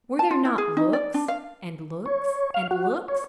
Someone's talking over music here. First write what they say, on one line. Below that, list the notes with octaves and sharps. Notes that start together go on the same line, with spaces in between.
Were there not looks, and looks, and looks?
A5
F4
E4
G#4
D#4
D5
D4
F5
C#5
F5
F#4
C#5